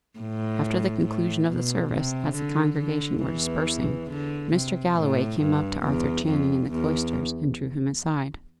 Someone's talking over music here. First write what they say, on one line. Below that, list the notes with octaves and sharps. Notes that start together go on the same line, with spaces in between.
After the conclusion of the service, as the congregation were dispersing, Mr. Galloway came up to Arthur Channing in the cloisters, and drew him aside.
A2
A2
B2
C3
D3
D3
E2 E3
D3
C3
A2
G2
E2
F2
E2